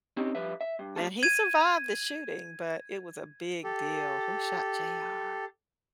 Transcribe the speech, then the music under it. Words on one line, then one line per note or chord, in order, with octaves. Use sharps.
Man, he survived the shooting, but it was a big deal. "Who shot J.R.?"
C4 C#4 D#4 G4
F3 G3 B4 E5
E5
G2
G3 A3 C#4 F4 A4
G#6 D#7
G4 A4